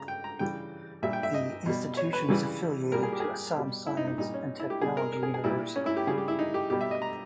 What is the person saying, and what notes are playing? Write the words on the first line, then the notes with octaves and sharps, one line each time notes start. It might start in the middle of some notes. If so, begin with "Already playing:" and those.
The institution is affiliated to Assam Science and Technology University.
Already playing: C#3 A#5
G5
A#5
C#3 E3 G3 G5
A#2 G3 E5
G5
E5
D#5
B2 G3
C#5
B4
C#3 E3 G3
A#2 G3 A#4
G#4
G4
G#4
G4
B2 G3
E4
D#4
D#4
A#2 G3 D#4
C#4
E4
G4
B2 G3 G#4
A#4
A#4
G#4
G#4
A#2 G3 E4
C#4
E4
G4
C#3 G3 G#4
G4
E4
D#4
G4
B2 G3 G4
E5
D#5
A#5